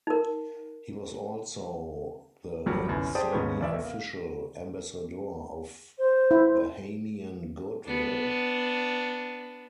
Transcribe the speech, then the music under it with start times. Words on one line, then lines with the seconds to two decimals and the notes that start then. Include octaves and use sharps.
He was also the semiofficial Ambassador of Bahamian Goodwill.
0.07 D#4 A#4
2.66 G#1 F2 F#3 G3
2.87 G1 C2 F#2
3.15 G4 G#4 C5 D5 A5 D#6
3.31 D#2 G#2 B3 C#4 B4
3.60 B1 E2 D5 E5
3.83 A#3
5.98 C5
6.31 E4
7.85 B3 D4